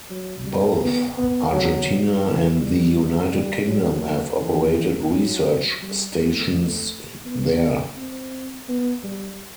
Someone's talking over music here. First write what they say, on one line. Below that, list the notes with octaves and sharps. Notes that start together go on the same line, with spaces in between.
Both Argentina and the United Kingdom have operated research stations there.
F#3
G3
B3
B3
F#3
E3
G3
G3
F#3
E3
F#3
G3
A3
B3
C4
B3
G3